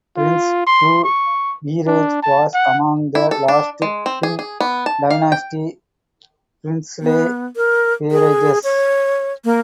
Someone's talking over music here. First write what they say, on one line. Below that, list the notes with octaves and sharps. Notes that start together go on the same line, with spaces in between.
Prince Fu peerage was among the last Qing dynasty princely peerages.
F4
C6
C#6
D4
A5
F#5
E4
A4
D4
G#3
C4
G#4
G#4
B3
A5
F5
G5
B3
A#4
G#4
C#5
A#3